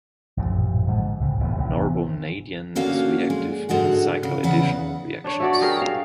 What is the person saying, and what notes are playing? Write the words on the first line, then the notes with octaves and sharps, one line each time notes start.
Norbornadiene is reactive in cycloaddition reactions.
A1 F#2 A#2 F3
G#2 D3 F3
C#2 A2 C#3
D#1 A1 G#2 C3
A1 C3 F3
C3 E3 B3
D3 A#3 C#4 F#4 F5
G#3
G#2 D3 G#3 F#4 F#5
C#3
E2 C#3 B4 F#5
D4 C#5
A3 F#4 D5
G4 G#4 A#4
F5